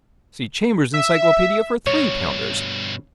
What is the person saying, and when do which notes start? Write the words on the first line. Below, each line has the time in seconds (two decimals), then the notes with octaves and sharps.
See Chambers' Encyclopedia for three-pounders.
0.94 E5
1.87 G2 B2 C#5